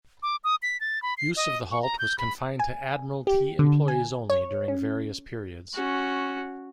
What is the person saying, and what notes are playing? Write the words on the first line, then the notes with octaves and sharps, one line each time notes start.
Use of the halt was confined to Admiralty employees only during various periods.
D6
D#6
B6
A6
B5
C7
D#5
C#6
A#5
G6
B5
G#5
G4
D3
G#5
C#5
C#4
C#4 F#4